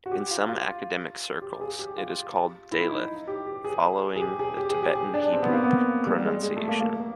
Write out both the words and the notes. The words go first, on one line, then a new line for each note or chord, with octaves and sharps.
In some academic circles, it is called "daleth", following the Tiberian Hebrew pronunciation.
F#4
G4
F4
F4
G4
G#4
G4
F4
E4
D#4
G4
G4
G#4
G#4
G4
G#4
G4
G#4
G4
G#4
D4
C4
B3
A#3
B3
G3
G#3
G#3
A3
A#3
A#3
A#3